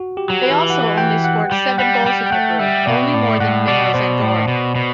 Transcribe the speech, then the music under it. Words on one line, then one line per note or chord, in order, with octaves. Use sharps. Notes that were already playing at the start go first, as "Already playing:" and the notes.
They also only scored seven goals in the group, only more than minnows Andorra.
Already playing: F#4
G4
F#3
B4
E3
F#5
G5
F#5
G3 G5
G3 F#5
G3 G5
G5
A3 F#5
G3 E5
B2 D5
A2 D5
A2 F#5
B2 D5
B2 C5
A2
B2
B2